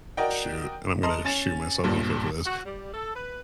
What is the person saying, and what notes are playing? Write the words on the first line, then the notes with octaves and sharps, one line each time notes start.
shoot, and I'm gonna shoot myself in the foot for this.
F#4 A#4 D5 D#5 G5
D#5 A5 A#5 C6
C#4 G#5 A6 E7
G1 G2 A#2
F#4
G3
A4
B4